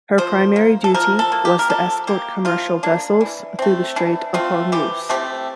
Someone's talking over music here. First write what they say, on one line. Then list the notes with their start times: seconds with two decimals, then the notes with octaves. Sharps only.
Her primary duty was to escort commercial vessels through the Strait of Hormuz.
0.18 F3 C5
0.56 A#3
0.84 A4
0.94 F3 A#4
1.19 A4
1.32 A#3
1.45 G4
1.59 A#4
1.70 F3 A4
2.07 A#3 G4
2.45 F3 F4
2.83 A#3 D4
3.21 E3
3.59 A3 C4
3.96 E3 D4
4.34 A3 C4 F4
4.72 E3 G4
5.10 A3 C4 G4